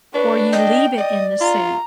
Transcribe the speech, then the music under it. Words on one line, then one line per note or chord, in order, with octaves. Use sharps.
or you leave it in the soup
D4 B4 C#5
D#5 G5
D5 D#5
F4 A#5